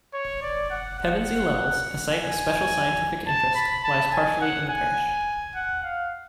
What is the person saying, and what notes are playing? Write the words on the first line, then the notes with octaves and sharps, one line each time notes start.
Pevensey Levels, a Site of Special Scientific Interest, lies partially in the parish.
C#5
D5
F#5
F#5
G#5
A5
B5
A5
G#5
F#5
G#5
F#5
F5